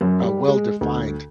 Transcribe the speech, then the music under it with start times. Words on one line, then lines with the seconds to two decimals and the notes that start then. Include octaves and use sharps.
uh, well-defined,
0.01 F#2
0.22 G3
0.48 G#3
0.81 D2